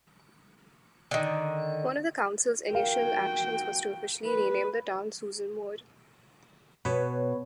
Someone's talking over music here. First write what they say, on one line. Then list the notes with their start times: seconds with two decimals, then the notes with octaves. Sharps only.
One of the council's initial actions was to officially rename the town Susan Moore.
1.11 D3 D#3
2.73 F#4 A#4 F5 G5
4.25 B4
6.85 B2 B4 C#5